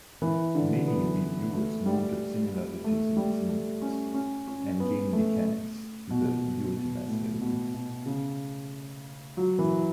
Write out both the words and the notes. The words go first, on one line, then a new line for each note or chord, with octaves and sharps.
Many reviewers noted similarities in themes and game mechanics to the "Ultima" series.
E3
D3
B3
A3
G3
A3
G3
A3
C#4
C#4
C#4
B3
A3
B2
B2
A2
B2
B2
C#3
F#3
E3